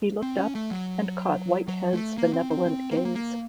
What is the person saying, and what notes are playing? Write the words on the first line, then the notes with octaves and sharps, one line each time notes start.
He looked up, and caught Whitehead's benevolent gaze.
C4
C#4
A3
F#3
F#3
A3
A#3
C4
C4
C4
A#3
C4
A#3
A#3